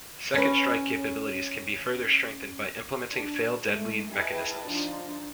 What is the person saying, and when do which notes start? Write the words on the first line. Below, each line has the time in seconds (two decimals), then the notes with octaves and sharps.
Second-strike capabilities can be further strengthened by implementing fail-deadly mechanisms.
0.34 C#4 B4
3.13 D4
3.64 G#3 A3
4.12 E4 G#4 B4 D#5 G5 A5
4.68 F3 D4 D#4 F4